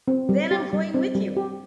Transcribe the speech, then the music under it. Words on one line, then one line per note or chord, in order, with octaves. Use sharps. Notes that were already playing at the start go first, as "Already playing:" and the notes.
Then I'm going with you.
C4
G3
G4
G3
C4
G3
G4